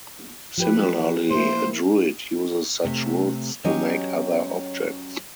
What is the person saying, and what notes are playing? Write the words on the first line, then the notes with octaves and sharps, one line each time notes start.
Similarly, a druid uses such woods to make other objects.
F3 G4 B4
A#3 E4 C5
C3 A3
F#3 C#4 G4 C#5 D#5